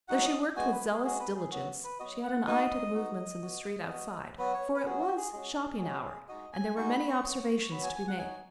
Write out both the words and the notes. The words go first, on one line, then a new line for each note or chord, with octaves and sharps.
Though she worked with zealous diligence, she had an eye to the movements in the street outside, for it was shopping-hour, and there were many observations to be made.
F#3 D#4 F#4 F#5
D#5
G#3 B3 F#4 G#5
B4
G#4
G#3 B3 F#4 G#4
B4
G#4
F#3 B3 F#4
B4
F#3 B3 F#4 D#5
F#5
B3 D#4 F#4 D#5
B3 D#4 F#4
B3 F#4
B3 F#4
F#3 B3 F#4 B4
C#5
B4
F#3 B3 F#4 G#4
F#4
G#4
G#3 C#4 F#4 G#4
G#3 C#4 F#4
G#3 D#4 F#4 D#5
G#5
G#3 D#4 F#4 C#6
B5
C#6
F#3 B3 F#4
C#6
F#3 B3 F#4 B5
G#5
G#5
F#5
F#3 D#4 F#4 G#5